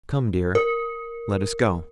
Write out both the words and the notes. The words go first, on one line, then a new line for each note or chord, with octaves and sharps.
'Come, dear, let us go.'
A#4